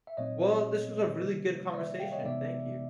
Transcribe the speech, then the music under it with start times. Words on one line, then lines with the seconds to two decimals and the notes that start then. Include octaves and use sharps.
Well, this was a really good conversation. Thank you.
0.07 E5
0.17 A#2 F#3 A3 C4 D#4 C#5 D#5
1.21 C3 D#3 G3 A#3 D4
1.74 D5 E5
2.00 F5 G5
2.12 C#5 D#5
2.24 C3 E3 G#3 B3 D#4 D5 E5